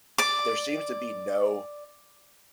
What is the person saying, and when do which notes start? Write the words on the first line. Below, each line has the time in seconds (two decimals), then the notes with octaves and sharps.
there seems to be no
0.18 D5 D6